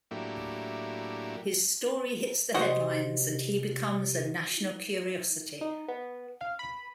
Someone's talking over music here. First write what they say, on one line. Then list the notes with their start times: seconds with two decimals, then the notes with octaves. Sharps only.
His story hits the headlines, and he becomes a national curiosity.
0.11 A2 F#3 A#3 D4 E4 G4
2.54 C3 F#4 C5 D#5
5.61 D#4
5.88 B3
6.41 F5
6.59 B5